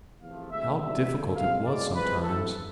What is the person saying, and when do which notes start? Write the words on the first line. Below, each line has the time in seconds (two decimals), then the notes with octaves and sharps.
How difficult it was sometimes.
0.21 E2 C3 F3 A3 F5
0.50 D2 C3 G#3 E5
0.79 C2 B2 G#3 D4 E5
1.08 D2 D3 F3 G#3
1.36 C3 F3 G#3 F5
1.65 C2 B2 G#3 D5
1.94 C2 C3 F3 G#3 C4 B4
2.23 E2 C3 E3 A3 A4